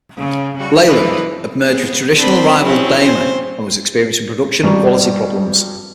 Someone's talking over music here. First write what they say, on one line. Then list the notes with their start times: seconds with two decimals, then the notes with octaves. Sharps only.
Leyland had merged with traditional rival Daimler and was experiencing production and quality problems.
0.19 C#3
0.55 C#3 G3 F#4
0.86 E3 G#3 D4 E4 B4 D#5
1.67 B3 G#4
2.16 C4 D4 C5 B5
2.64 F#3 C4 C#4 E4
3.02 C5
4.63 G#1 G2 G3 A#5 C#6